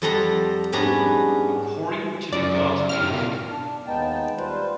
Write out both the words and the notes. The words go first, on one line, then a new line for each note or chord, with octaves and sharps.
According to the Got Milk?
F2 G3 A4 F#5 A#5 C6
G#2 G3 B3 C#4 D4 A#5
F#2 D5
E4 G4 F6
B2 F4
D4
D#2 G#3 B3 D#4 G5 A5
G3 F4 B4 C5